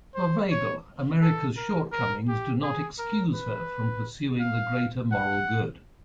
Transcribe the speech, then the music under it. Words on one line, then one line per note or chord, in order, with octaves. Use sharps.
For Weigel, America's shortcomings do not excuse her from pursuing the greater moral good.
C5
C#5
A4
A#4
A#4
G4
G#4
A#4
B4
F5
F#5